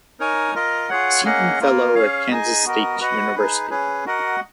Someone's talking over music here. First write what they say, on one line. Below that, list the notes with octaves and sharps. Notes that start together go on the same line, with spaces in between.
Seaton Fellow at Kansas State University.
D#4 A#4 C#5 G#5
F4 A#4 D#5
F4 G#4 C#5 F#5
A#3 C#4 G#4 D#5 F#5
A#3 F4 A#4
C#4 G#4 C#5 F5
D#4 G#4 D#5 G#5
B3 F#4 A#4 D#5
F#4 B4 D#5 F#5
D#4 G#4 B4
C#4 G#4 B4
F#4 A#4 D#5 F#5